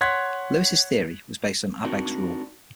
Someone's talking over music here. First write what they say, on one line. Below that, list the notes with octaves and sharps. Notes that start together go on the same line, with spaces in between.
Lewis's theory was based on Abegg's rule.
C#5 F#5 C6 F#6 G#6 B6
C4 D4 D#4 F#4 A#4